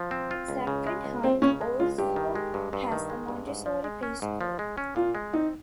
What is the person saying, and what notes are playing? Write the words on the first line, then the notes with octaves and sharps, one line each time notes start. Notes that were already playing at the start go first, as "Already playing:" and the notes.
Sacred Heart also has a Montessori preschool.
Already playing: F3
C4
F4
C#2
C#3
G#3
C#2
C#2 C4
C#3 C#4
G#3
C#2 F4
G2 G4
D#3
G#3
G2
G2
D#3
G#3
G2
G#2
F3
G#3
C#4
G#2
F3
G#3
C#4
A#2 F4
G#3
C4 D#4